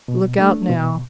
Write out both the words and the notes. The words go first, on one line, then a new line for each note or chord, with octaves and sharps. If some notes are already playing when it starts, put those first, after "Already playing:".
Look out now.
B2
A3 D4
B2